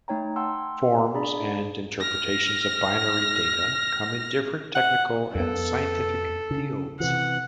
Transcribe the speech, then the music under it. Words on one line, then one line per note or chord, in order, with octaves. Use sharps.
Forms and interpretations of binary data come in different technical and scientific fields.
A3 D#4 C#5 G5 A#5
F#5 G5 A5 A#5 C6 E6
D4 G#4 D5 A#5 B5
F6 A#6
F#5
F2 B3 A4
C#3
C3 E3 F#5